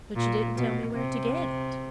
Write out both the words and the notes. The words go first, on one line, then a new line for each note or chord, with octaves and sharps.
"But you didn't tell me where to get it."
A#2
B2
C3